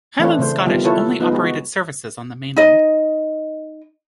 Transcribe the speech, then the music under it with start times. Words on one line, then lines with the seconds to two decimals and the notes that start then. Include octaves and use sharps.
Highland Scottish only operated services on the mainland.
0.19 E3 A3 C4 D4 B4 C#5
0.39 C#3 A3 C5
0.66 D#3 G3 B3 F4
0.84 E4 F4 A4 B4 C#5
1.20 B3 D#4 F4
1.32 G#3 F#4
2.56 D#4 D#5